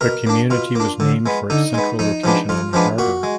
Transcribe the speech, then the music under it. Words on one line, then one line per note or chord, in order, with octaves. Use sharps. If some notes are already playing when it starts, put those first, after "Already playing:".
The community was named for its central location on the harbor.
B2 A#4
A#3 D4
B2 F4
A#3 D4
D3
G#3 B3
D3 D#4
G#3 B3
F2 D#4
F3 G#3 B3 D4
F2 F4
F3 G#3 B3 D4
A#2 F#4
G#3